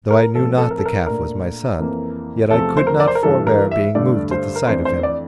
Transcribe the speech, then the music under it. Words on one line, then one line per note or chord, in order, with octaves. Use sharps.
Though I knew not the calf was my son, yet I could not forbear being moved at the sight of him.
A#4
A2 F3 C4 A4
A4
A#4
A4
A#4
A#2 A3 D4 A#4
F2 E3 A#3
E2 C3 F3 A3 A4
C5
A#4
D5
C5
A#4
G2 E3 G3 A4
A#4
E5
G2 D3 A3 D5
C5
A#4
F2 E3 A3 D4 C5
C5
D5